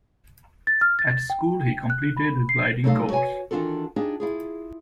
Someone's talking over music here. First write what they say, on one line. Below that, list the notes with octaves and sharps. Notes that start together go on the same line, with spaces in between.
At school, he completed a gliding course.
A6
F6
A6
G5
F#6
B5
C7
F#3 G3 A3 D#4 A4 F5
F#4 B4 C#5 D#5 G#5
D#3 E3 D4 F4 F#4 A4
D4 D#4 F4 G4 G#4
E4 F4 G#4